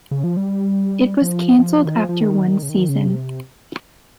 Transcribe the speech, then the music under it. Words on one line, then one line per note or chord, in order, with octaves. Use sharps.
It was canceled after one season.
C#3
F3
G3
F3
F3
D#3
F3
F3
D#3
C#3
D#3
C#3
C3